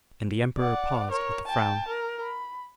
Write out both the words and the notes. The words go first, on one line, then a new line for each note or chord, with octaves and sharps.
And the Emperor paused, with a frown.
D5 F#5
A#4 C#5
G5 A5
A#4
B5